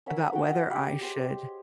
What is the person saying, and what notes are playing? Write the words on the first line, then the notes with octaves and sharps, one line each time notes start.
about whether I should
C#4 A#4 E5 F#5
F#4 A4 F#5 G5
D#5 E5
G4 B5 D#6
G4 G#4 C5 G5